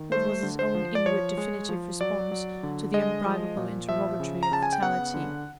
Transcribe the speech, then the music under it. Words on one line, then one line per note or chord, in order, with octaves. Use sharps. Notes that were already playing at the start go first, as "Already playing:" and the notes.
What was his own inward definitive response to the unbribable interrogatory of fatality?
Already playing: D#3
A3 C5
D3
C5
F3
D5
F3 C#5
G#3
F3
F#3 D5
F#3
D3
G#3 D#5
F3
A#2
F3 E5
C#3
A#5
C#3 A5
G#5
G5
B3 F#5
D3